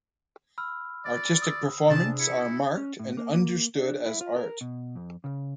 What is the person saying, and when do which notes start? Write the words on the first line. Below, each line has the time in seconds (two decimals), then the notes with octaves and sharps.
Artistic Performance are marked and understood as art.
0.58 B5 E6 F6
1.06 D5
1.42 D#6 E6
1.90 C3 D4 G#4 A5
2.20 E4 C#7
2.77 C#4
2.99 A2
3.17 A#3
3.34 A#3
3.75 D4
4.06 E4
4.21 F4
4.36 A#4
4.61 B2
4.95 F2
5.24 C#3